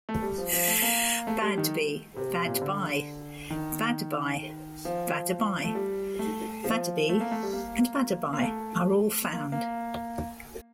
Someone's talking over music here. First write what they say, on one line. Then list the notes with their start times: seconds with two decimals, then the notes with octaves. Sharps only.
Badby, Badbye, Baddebi, Baddeby, Badebi and Badeby are all found.
0.09 A3
0.22 G3
0.38 F3
0.53 F3
0.68 A3
0.82 A#3
1.27 A3
1.42 G3
1.58 D#3
2.17 C3
2.45 A#2
2.54 C3
2.62 D3
3.50 D#3
4.85 F3
5.64 A3
5.75 G3
6.19 A3
6.64 F3
7.09 A3
7.20 A#3
7.31 A3
7.43 G3
7.53 A#3
8.33 A#3
8.42 A3
9.33 A#3
9.52 A#3